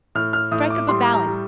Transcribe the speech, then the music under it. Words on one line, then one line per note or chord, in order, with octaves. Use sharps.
Strike up a ballad.
A2 F6
F6
A2 D#6
D6
G3 C6
A#5
G3